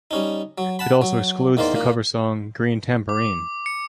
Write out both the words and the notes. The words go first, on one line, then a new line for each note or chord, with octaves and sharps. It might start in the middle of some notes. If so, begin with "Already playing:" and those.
It also excludes the cover song "Green Tamborine".
G3 C#4 D#4
F#3
F#5 A5 B5
F#3
E2 D#3 A#3 C5 D5
A#2 A#3
D6
C#7